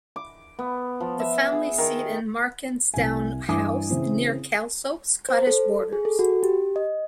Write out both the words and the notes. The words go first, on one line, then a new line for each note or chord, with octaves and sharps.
The family seat is Makerstoun House, near Kelso, Scottish Borders.
D6
B3
F3
E5
G#4
D#3
C2 G#5
G2 E3 G#5 D6 D#6
C#3 E3 C4 C#4
C5
A4
G#4
A4
F#4
G4
D#5